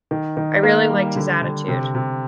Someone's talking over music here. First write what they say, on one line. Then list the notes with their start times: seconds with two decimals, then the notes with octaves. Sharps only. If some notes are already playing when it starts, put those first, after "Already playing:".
I really liked his attitude.
0.11 D#3
0.37 D#3
0.63 A#3
0.89 G3
1.16 D3
1.42 D3
1.68 C3
1.95 C3